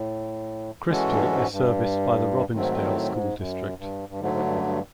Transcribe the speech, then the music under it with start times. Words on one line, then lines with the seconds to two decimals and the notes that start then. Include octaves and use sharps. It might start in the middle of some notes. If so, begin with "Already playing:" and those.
Crystal is serviced by the Robbinsdale School District.
Already playing: A2
0.88 E3 G#3 C#4 F#4 A4
1.04 G#2
1.09 G2
1.30 G#2
1.51 G2
2.54 G#2 D#3 F#3 A3 C4
2.83 A2
3.10 G#2
3.37 F#2
3.79 G2
4.09 G2
4.21 G#2 D3 F#3 A3
4.33 G#2
4.42 G2
4.55 F#2
4.63 G2